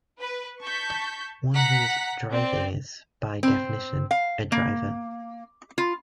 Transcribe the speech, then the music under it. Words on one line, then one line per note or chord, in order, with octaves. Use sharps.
One who is "driving" is, by definition, a "driver".
B4
A5 C#6 G6 B6
F#5 A#5 F#6 B6
C4 D5
C4
F5
A#3
F4